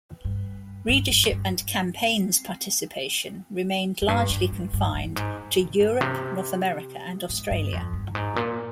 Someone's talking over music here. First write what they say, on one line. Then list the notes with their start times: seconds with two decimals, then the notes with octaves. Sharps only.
Readership and campaigns participation remained largely confined to Europe, North America and Australia.
0.25 G2
0.89 G2
1.10 G2
1.23 F2
1.32 G2
4.02 F2
4.08 G2
4.30 G2
4.52 G2
4.74 G2
4.95 G2
5.16 G#2
5.59 C3
5.80 G2
6.01 C3
7.29 G#2
7.51 G2
7.72 F2
7.93 G2
8.15 G#2
8.36 A#2